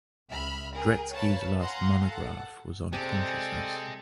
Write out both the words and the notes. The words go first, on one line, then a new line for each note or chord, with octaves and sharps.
Dretske's last monograph was on consciousness.
C#2 E5 B5 F6
G#4 A#4 G5
A#4 B4 C#5 F5 A5 B5
F5 F#5 G#5 A#5 C6
A4 F#5
C3 G#3 C4 A4 D5 G5 D6